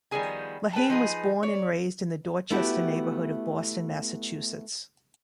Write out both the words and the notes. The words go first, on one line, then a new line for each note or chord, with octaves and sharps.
Lehane was born and raised in the Dorchester neighborhood of Boston, Massachusetts.
D#3 F3 G3 B3 G#4 G#5
G#4 B4 G5 A5
F3 D#4 G#4 B4
C#5 D5
A3 B3 E4 F#4 G4